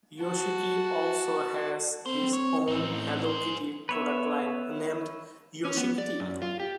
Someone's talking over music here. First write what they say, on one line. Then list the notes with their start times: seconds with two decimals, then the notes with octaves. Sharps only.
Yoshiki also has his own Hello Kitty product line, named "Yoshikitty".
0.22 F#4 A5
2.06 B3 C4 C5
2.33 C#5
2.68 A1 C4 D#4
3.25 G#4 C5
3.89 B3 B4 C#5 E5
5.65 C#4
5.77 B3
5.98 D5
6.20 F#2
6.42 F4
6.60 G4